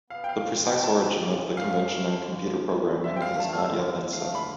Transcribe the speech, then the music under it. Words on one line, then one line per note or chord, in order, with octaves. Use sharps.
The precise origin of the convention in computer programming has not yet been settled.
B3 F5
G5
C3 F5
F4
E3 G5
G5
B3 A5
C3
F4
E3
F3 F5
D2
A3
D3
F3
D2
A3
D3
F3 E5
G5
D2 F5
A3 A5
F6
D3 E6
F3
D2
A3 F5
D3 B5